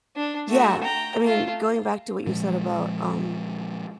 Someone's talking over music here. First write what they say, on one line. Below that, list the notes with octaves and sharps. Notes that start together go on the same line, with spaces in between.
yeah, I mean, going back to what you said about, um,
D4
A3 F#4
G5 A#5
A3 F4
A#2 F3 G#3